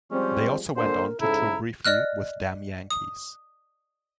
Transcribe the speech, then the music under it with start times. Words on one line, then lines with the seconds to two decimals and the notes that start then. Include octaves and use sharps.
They also went on to tour briefly with Damn Yankees.
0.11 F3 G3 G#3 C4 C#4
0.76 A#2 D3 A#4 C5
1.21 G#2 C#3 E4 A4 A#5
1.85 D5 D#5 F6 F#6
2.91 D#6